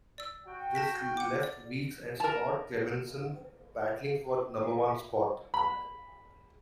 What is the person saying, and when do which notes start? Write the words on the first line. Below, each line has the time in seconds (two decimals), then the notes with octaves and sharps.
This left Weekes and Scott Clemmensen battling for the number one spot.
0.18 D5 E6
0.47 F#4 G5
0.75 A5 A#6 B6
1.17 F#5 D6
1.43 D5
2.20 A#4 A5
5.54 B5